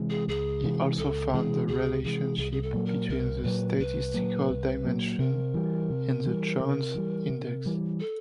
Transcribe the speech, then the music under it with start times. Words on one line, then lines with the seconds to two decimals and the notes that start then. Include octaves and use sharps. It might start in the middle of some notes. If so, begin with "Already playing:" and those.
He also found the relationship between the statistical dimension and the Jones index.
Already playing: C3 E3 G#3
0.10 G#4
0.28 C#2 G#4
0.64 C3 E3 G#3
0.98 C#2 A4
1.33 C3 E3 G#3 G#4
1.68 C#2 G#4
2.04 C3 E3 G#3 G#4
2.38 C2 G#4
2.52 G#4
2.63 A4
2.73 A#2 F#3 A#3
2.86 A#4
3.09 C2 A#4
3.44 A#2 F#3 A#3 B4
3.79 C2 B4
4.14 A#2 F#3 A#3
4.50 C2
4.85 A#2 F#3 A#3
5.19 C3 A#4
5.54 E3 G3
5.90 C3
6.25 E3 G3
6.60 C3
6.95 E3 G3
7.30 C3
7.66 E3 G3
8.00 A4